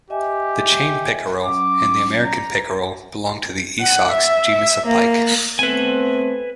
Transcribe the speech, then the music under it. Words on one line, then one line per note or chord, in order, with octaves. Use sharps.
The chain pickerel and the American pickerel belong to the "Esox" genus of pike.
G4 D#5 E5 G#5
F#3 C#4 D6
A#5
F#5
E5
A#3
A3 B3 C4 B4 G#5